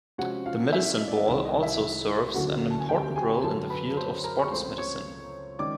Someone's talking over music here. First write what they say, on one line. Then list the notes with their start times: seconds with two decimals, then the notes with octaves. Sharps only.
The medicine ball also serves an important role in the field of sports medicine.
0.18 C3 F3 G#3 C#4 F#4 F#5
0.46 F4 F5
0.73 E4 E5
1.00 D#5
1.08 D5
1.17 D#5
1.27 C2 C3 D#3 D5
1.45 D#5
1.63 E4 E5
2.34 D2 D3 F#3 A3 C#4 F#4 F#5
2.70 A5
2.79 G#5
2.89 G4 G5
3.16 G#4 G#5
3.43 F#2 D3 F#3 A4 A5
3.70 B4 B5
3.97 C5 C6
4.24 A#4 A#5
4.39 C#6
4.51 C#2 C#3 F3 A3 C4 C5 C6
4.78 C#5 C#6
5.59 D#3 G#3 C#4 D5 D6